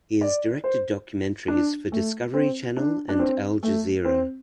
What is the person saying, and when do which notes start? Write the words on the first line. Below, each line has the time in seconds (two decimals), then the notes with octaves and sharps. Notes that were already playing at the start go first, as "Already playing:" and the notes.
He has directed documentaries for Discovery Channel and Al Jazeera.
0.21 D5
0.64 C5
1.48 D4
1.92 A3
2.34 C4
2.77 D4
3.09 D4
3.19 C4
3.63 A3
4.05 C4